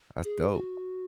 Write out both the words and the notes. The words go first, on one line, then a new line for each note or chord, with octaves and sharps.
That's dope.
G#4
F#4